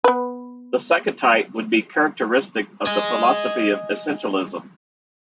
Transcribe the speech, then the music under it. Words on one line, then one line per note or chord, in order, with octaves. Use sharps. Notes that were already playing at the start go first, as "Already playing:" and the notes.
The second type would be characteristic of the philosophy of essentialism.
B3 B4
D#5 G#5